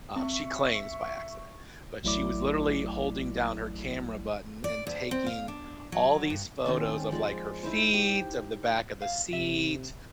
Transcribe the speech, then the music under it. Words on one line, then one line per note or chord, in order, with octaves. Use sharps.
Um, she claims "by accident," but she was literally holding down her camera button, and taking all these photos of, like, her feet, of the back of the seat,
C4 E5 C#6
A1 F#3 A3 E4 D5 D6
D5
D2
C4
F5
D4
F#3
G2
D#3 C4 C#4 A4
F3 G#3 D5
D#4 E4 C5
G4
F5
C3 E5